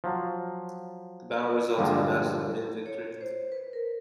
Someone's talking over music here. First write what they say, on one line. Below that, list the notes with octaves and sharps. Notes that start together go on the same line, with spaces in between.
The battle resulted in a Macedonian victory.
F3 F#3
G2 A#2 D3 F3 G3 G#3
C#5
C5
B4
A#4